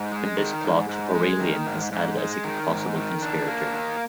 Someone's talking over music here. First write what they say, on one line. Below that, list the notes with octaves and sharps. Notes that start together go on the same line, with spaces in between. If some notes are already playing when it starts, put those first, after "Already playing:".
In this plot, Aurelian is added as a possible conspirator.
Already playing: G#2
G#3
D#3
G#2
G#2
G#3
D#3
G#2
G#2
G#3
D#3
G#2
D#3
D4
A#3
D#3